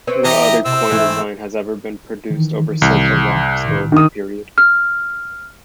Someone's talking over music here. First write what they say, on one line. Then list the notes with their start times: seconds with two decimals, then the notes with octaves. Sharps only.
No other coin design has ever been produced over such a long historical period.
0.07 C4 B4 C#5
0.25 E3 G4 D#5 A#5
0.66 C3 C4 E6
0.89 G#2 E3 A3
2.30 D#3 E3
2.82 C2
3.41 F#6
3.64 A2 D#3
3.92 D#3 D#6
4.58 F6